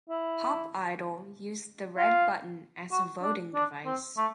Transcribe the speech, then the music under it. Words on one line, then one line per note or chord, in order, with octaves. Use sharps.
"Pop Idol" used the red button as a voting device.
E4
F4
F#4
D4
D4
C4
A3